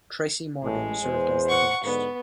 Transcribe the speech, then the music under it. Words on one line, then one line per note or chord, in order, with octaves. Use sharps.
Tracy Morgan served as the host.
A1 A2 G#3
E2 C5
F#5 C#6
G#2 D3 B3